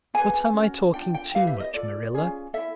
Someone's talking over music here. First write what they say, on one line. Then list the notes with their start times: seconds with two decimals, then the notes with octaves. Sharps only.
But am I talking too much, Marilla?
0.14 E4 G#4 B4 G#5
0.34 G#5
0.53 C#4 F#4 A#4
0.94 D4 F4 G5
1.14 G5
1.34 E4 G4 B4 F5
1.47 E5
1.60 D#5
1.74 F4 A4 D5
2.14 C#4 F4 G#4
2.54 E4 A4 E5